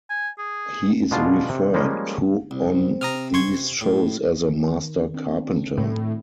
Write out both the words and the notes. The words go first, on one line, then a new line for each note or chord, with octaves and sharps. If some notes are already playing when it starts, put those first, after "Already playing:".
He is referred to on these shows as a "master carpenter".
G#5
G#4
B2 G#3 D4 F4
C3
F3 G3 G#3 A#3 C#4
C2 C4
C3 A#5 D#6 F6
C6 C#6 G#6
A2
D#3
C4 D4
A2